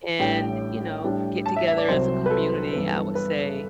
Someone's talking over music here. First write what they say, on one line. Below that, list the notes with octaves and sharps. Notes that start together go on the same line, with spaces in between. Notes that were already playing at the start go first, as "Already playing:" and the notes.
and, you know, get together as a community, I would say
A1 A2 G3 D4 G5
A2 G3 D4
A5
E5
E5
D5
C2 C3 F#3 C4 C5
B4
A4
G2 E3 B3
B4